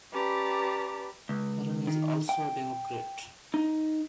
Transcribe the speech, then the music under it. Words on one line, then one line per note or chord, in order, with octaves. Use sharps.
Horan is also a Democrat.
C#4 G4 B4 D5 A5 A#5
C#2
D#3
G5
D#4